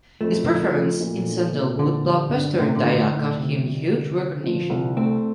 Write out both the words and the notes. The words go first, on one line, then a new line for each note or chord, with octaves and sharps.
His performance in Sandalwood blockbuster Dia got him huge recognition.
F2 A3
F3
F2
A#2
D4
A#2
D3 C4
G3
G2
A2 D3
C3
D3
D#4
A2
C3
G3
C3
C4
F3
C2
A3 C4